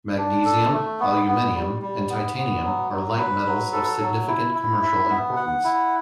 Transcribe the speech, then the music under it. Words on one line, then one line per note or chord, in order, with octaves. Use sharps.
Magnesium, aluminium and titanium are light metals of significant commercial importance.
D4
A4
A3
B3
B3
G3
G3
B3
B3
F#3
F#3
B4
F#3
A4
F#3
E4
E4
E5
B3
F#5
E4